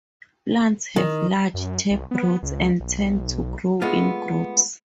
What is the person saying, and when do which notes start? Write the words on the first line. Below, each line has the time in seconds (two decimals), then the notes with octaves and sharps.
Plants have large taproots and tend to grow in groups.
0.96 D#3
1.54 F#2
1.91 C2
2.11 B3
2.43 C#2
2.80 B1
3.82 G#3 A3 B3 F4